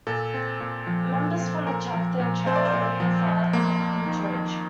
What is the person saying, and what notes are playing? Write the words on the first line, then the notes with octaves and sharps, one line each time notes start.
Members from the tractor and trailer opened fire on the entourage.
A#2 A4
C4
A#2
F3
A#2
C4
A#2 A#4
F3
A#2
C4 C5
D5
C5
A#2
F3
F2
A#3
F2
D#3
F2